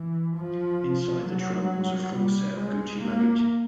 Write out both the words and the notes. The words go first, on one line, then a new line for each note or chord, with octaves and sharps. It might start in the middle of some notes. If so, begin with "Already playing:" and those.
Inside the trunk was a full set of Gucci luggage.
Already playing: E3
F3
F#3
G3
G#3
A#3